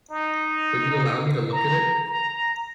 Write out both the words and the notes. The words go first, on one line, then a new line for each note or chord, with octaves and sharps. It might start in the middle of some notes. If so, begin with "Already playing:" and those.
Would you allow me to look at it?
D#4
A#5
A#5